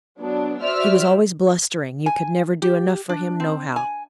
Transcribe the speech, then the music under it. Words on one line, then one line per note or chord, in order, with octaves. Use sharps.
He was always blustering, you could never do enough for him no how.
F#3 B3 D4
F#4 C5 D5 E5 E6 F6
G#5
G4
D4
C4
G#5